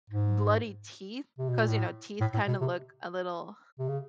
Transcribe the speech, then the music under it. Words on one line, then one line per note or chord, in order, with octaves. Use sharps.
bloody teeth 'cause, you know, teeth kinda look a little
G#2
C3
B2
A#2
A2
A2
A2
B2
C3
C3
C#3